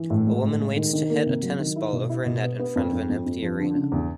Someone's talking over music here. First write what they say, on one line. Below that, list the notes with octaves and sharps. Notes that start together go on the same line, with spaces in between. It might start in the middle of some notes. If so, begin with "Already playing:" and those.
A woman waits to hit a tennis ball over a net in front of an empty arena.
Already playing: E3
A2
G#3
A2
G#3
D#3
D#3
A#3
C3
F#3
D#3
E4
B2
E4
B2
B3
B3
F2
F2
F2
F2
F3
D3
C#3
E2